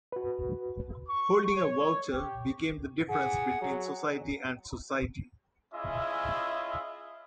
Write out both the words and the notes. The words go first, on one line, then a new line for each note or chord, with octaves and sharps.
Holding a voucher became the difference between society and Society.
F#4 B4
C#6
C#5
G4
G#4 F#5
F#3
C#4 E4 F4 G#4 D#5 E5